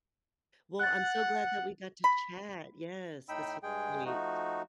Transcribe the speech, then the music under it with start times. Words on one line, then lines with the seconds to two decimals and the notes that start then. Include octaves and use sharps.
Well, I'm so glad that we got to chat. Yes, this was great.
0.79 F#5 F#6 A6
2.04 B5
3.29 A2 D#4 G5 B5 E6
3.63 G2 G#3 G#4 G5
4.05 F3 A3 D#4 F#4